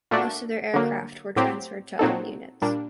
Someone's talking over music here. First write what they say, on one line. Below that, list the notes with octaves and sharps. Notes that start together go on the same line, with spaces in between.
Most of their aircraft were transferred to other units.
A#2 A3 D4 F#4
D3 F#3 A#3
A2 F#3 C4 G4
A#2 F#3 C4 D#4 A4
A#2 G3 D4